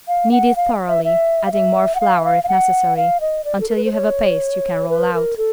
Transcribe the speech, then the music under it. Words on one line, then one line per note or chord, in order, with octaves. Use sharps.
Knead it thoroughly, adding more flour if necessary, until you have a paste you can roll out.
F5
F#5
F5
E5
E5
F5
E5
F#5
F5
E5
F5
F5
F#5
F5
D#5
D5
A4
A#4
B4
C5
C#5
B4
A#4
A4